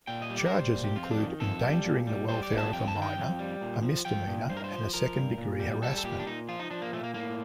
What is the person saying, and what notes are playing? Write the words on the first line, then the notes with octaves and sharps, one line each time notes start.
Charges include, Endangering the Welfare of a Minor, a misdemeanor and second-degree harassment.
A#2 G5
D#5
G3
D5
A#4
G3 C5
A#2
G4
F2 F4
C4
D4
D#3
F2 A4
G3
A#2
G3
G3 C5
D5
A#2
A5
F2 G5
A5
D#3
G5
F2
G3
A#2
F3
F3 G5
A#2
G2 C5
A#4
C5
F3
F3 A#4
G2
A#2
G3
G3 A4
A4
A#2 G4
D4
A#2 D#4
F3 F4
D#4
F3 D4
A#3
A#2 A3
A#3
A2 A#3